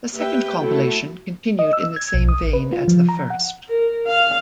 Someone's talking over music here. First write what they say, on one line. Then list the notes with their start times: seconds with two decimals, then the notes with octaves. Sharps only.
The second compilation continued in the same vein as the first.
0.15 A#3 G4 B4 E5 G5
0.57 F#3 A3 E4 A4
1.59 D#5
1.73 E6
1.96 G#6
2.14 B1
2.29 D#6
2.41 A1
2.53 B4
2.73 F4
2.88 F3
3.09 A#5
3.30 F#5
3.69 A#4
4.07 F5